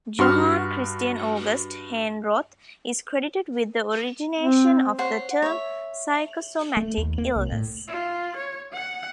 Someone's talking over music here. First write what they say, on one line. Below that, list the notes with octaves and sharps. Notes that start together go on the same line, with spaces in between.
Johann Christian August Heinroth is credited with the origination of the term psychosomatic illness.
G2 F#4 C6 F6
C4
C5 C#5 F#5
C#5 E5
A3
D#2
A#3
C2
A2
F4
C#5
F#5